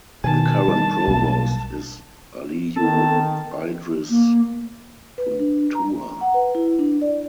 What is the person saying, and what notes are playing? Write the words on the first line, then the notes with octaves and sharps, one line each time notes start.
The current Provost is Aliyu Idris Funtua.
B2 D#3 G#5 A5
D#3 G3
B1 A#3
D#3 B3 C4 A4 A5
A#3
B4
D4
A#5
F#5
B4
E4
D4
D5